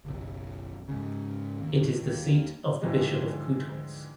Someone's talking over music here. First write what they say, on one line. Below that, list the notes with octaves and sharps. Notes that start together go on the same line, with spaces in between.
It is the seat of the Bishop of Coutances.
F#1 B1
G#2 C#3
D#2
A2
D#2
G#2 D3 E3 F3 G3 G#3